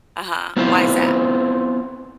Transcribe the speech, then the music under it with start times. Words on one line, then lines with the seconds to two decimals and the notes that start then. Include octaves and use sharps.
Uh-huh, why's that?
0.57 B3 C4 E4 F4 C5